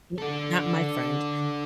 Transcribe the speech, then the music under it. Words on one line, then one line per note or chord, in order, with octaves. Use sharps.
M not my friend.
D4 A4